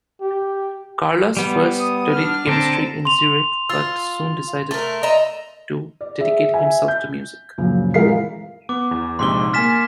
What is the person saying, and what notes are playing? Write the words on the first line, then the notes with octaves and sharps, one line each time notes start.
Carlos first studied chemistry in Zurich, but soon decided to dedicate himself to music.
G4
G3 B3
D#6
D4 F6
D3 C4 A5 A#5
C6 F7
F4 E6
A3 A#4
D#5 E5 A#5
D5
G#4 E5
E5 G#5
G6
F#2 A#2 C#3 F3
E3 F3 G#3 A#4 F5 C7
B3 D6
E2
A#1 G#2 C3 C6 D6 G7
A#3 G#5 F6 A6 B6 E7